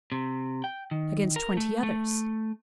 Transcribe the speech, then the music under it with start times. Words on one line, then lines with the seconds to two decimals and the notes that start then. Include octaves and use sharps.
"Against twenty others."
0.12 C3
0.64 G5
0.91 D#3
1.36 A#4
1.57 A3
1.83 A3